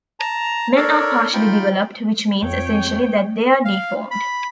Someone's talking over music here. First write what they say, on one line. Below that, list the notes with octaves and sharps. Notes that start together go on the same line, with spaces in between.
Men are partially developed which means essentially that they are deformed.
A5 A#5
D4 A4 A#4 C#5 D5
D#4 F4 G5 B5
F2 C#5 G5
F5
B5